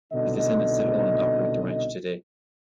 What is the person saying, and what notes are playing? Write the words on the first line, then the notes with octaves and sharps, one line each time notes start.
His descendants still own and operate the ranch today.
C2 B2 D3 D#4 D#5